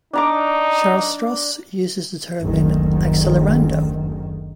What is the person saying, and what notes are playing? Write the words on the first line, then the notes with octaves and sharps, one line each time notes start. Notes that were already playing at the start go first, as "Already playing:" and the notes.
Charles Stross uses the term in "Accelerando".
D4 D#4 A#5 D6
F#1 D2 D#3